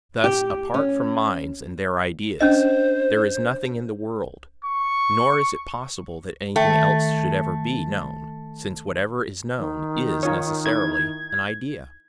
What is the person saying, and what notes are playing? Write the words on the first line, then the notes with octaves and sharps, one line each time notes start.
Thus apart from minds and their ideas there is nothing in the world, nor is it possible that anything else should ever be known, since whatever is known is necessarily an idea.
G4
C#4
C#4 D4 C5 D#5
C#6
D#3 A3 E5 G5
D#3
D#4 F4 C#5
D#4 E4 G#6